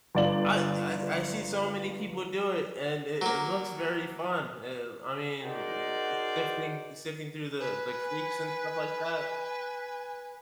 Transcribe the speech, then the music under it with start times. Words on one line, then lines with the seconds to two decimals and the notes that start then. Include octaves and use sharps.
I I I see so many people do it, and it it looks very fun, uh, I mean, sifting sifting through the the creeks and stuff like that.
0.15 G1 D5 F#7
3.22 F#3 A#3
5.41 D#4 F#4 G#4 A#4 C5 D5
7.60 B4 G#5